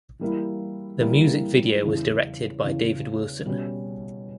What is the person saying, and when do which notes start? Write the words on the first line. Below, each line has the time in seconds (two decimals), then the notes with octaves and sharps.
The music video was directed by David Wilson.
0.19 E3 G3 A#3 E4
1.01 E3 G3 A#3 E4
1.82 E2 C#3 E3
2.64 E2 C#3 E3
3.46 B2 G3 C#4